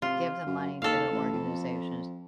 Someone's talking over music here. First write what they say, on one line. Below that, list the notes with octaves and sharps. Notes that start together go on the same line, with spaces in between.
give the money to the organizations
C3 F4
F#2
D#2 A4 F5
A1
F2